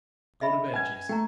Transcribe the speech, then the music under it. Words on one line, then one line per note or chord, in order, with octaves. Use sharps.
"Go to bed, Jason."
D#5 E5 B5
C#4 B4 G#5 G#6
A3 G5 A#5